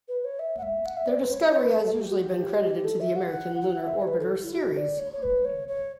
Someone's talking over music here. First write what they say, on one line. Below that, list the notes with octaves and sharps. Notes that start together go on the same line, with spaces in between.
Their discovery has usually been credited to the American Lunar Orbiter series.
B4
C#5
E5
F#5
E5
F#5
E5
D5
B4
C#5
C#5
B4
A4
G4
F#4
G4
G4
A4
E5
F#5
F#5
E5
C#5
B4
A4
E4
F#4
D5
C#5
C#5
B4
C#5
C#5